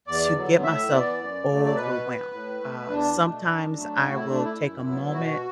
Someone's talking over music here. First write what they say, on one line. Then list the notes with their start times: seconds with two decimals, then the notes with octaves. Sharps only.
to get myself overwhelmed. Uh, sometimes I will take a moment,
0.07 E2 D5
0.36 D3 F#3 B3
0.63 A2 E5
0.92 E3 B3 D5
1.20 F#2
1.48 F#3 A3
1.65 D5
1.76 B2 B4
2.04 B3
2.32 A2
2.60 A3
2.89 E2 D4
3.17 B2 A3
3.45 F#2
3.73 F#3 A3
4.02 A2 F#4
4.15 E4
4.29 A3 D4
4.44 E4
4.58 F#2
4.86 F#3 B3
5.14 B2 F#4